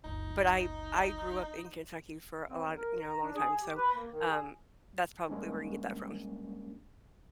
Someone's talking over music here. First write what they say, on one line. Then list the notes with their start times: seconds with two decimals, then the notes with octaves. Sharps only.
but I I grew up in Kentucky for a lot, you know, long time, so, um, that's probably where you get that from.
0.05 F#1 C#2 D#4
2.50 C4
2.64 E2
2.77 A#4
3.00 A#5
3.22 D4
3.35 G#4
3.63 G4
3.76 B4
3.95 A#3
4.11 D#3
4.29 G#4
5.29 G3 G#3 A#3 C#4 D4